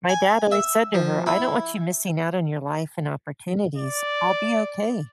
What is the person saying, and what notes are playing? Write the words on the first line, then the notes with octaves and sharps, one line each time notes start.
My dad always said to her, "I don't want you missing out on your life and opportunities. I'll be okay."
G#5
E5
F3
E4
D5